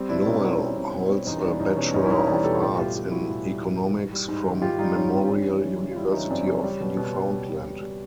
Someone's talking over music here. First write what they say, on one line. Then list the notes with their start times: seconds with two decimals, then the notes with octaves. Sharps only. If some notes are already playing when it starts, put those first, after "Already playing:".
Noel holds a Bachelor of Arts in Economics from Memorial University of Newfoundland.
Already playing: G3 C4
0.09 B2 D4 E4
0.26 B2 C#4 D#4
0.43 G3 C4 D4
0.59 G3 C#4
0.76 B2 C4 D4
0.93 B2 C#4
1.10 G3 C4 D4
1.27 E2 C#4 D#4
1.43 G3 D4 E4
1.60 E2 C#4 D#4
1.76 B2 C#4
1.94 E2 C#4 D#4
2.04 E4
2.10 G3 C#4 D#4
2.27 E2 D4 E4
2.44 B2 G4 A4
2.60 A2 F4 G4
2.78 G3 F4 G4
2.94 A2 F4 G4
3.11 E3 E4 F#4
3.28 A2
3.45 G3
3.61 A2
3.79 E3
3.96 G#2
4.13 G3
4.28 G#2
4.45 D#3
4.62 G#2 F4 G4
4.79 G3 D#4 F4
4.96 G#2 C#4
5.12 D#3 C4
5.29 G3 C#4
5.46 E3
5.63 F#2
5.80 C#3
5.92 F4
5.96 G3 D4 E4
6.13 E3 C#4 D#4
6.30 F#2 C4 D4
6.46 C#3 C#4
6.63 G3
6.80 B2
6.97 B2
7.15 G3
7.30 G3
7.47 B2
7.65 B2
7.81 G3